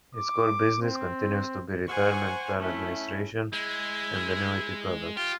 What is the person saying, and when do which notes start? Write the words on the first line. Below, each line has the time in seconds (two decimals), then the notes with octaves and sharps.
Its core business continues to be retirement plan administration and annuity products.
0.16 D6
0.82 C4
1.88 C5 F#5 G#5 C#6
2.57 A3 C#4 E4
3.53 G#3 E4
5.17 F4 G4